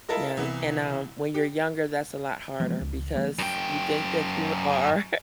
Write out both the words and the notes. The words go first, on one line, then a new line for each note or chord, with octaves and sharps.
Yeah and, um, when you're younger that's a lot harder because you think that you are,
E4 F4 A4 A#4 D#5
C2 E3 B3 E4
G4
E3 F3 G#3 B3
C#2
E3 G3 A3 B3
F#2 G5